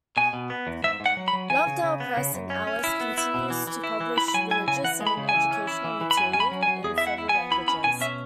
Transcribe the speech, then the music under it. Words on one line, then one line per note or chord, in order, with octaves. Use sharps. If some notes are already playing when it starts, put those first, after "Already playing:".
Lovedale Press, in Alice, continues to publish religious and educational material in several languages.
B2 G#5
B2
B3
E2
G#2 E5
G#2
F#5
F#3
B5
F#3
E3 G#5
C#3
C#3
B3
C#3
F#2
C#4
C#4
E4
B3
E4
B2
E3
E3
E4
E3
E4 B5
B5
F#3 G#5
E4 G#5
C#3 G#5
E3 F#5
G#3
B5
C#3
G#5
E3
C#4
E4
E3
E3
B5
F#2 G#5
C#4 G#5
B5
F#3
G#5
F#3
E2 G#4
E4 E5
F#5
E4
G#5
B3
E4 B5
C#4 B5
B2 G#5
C#4 E5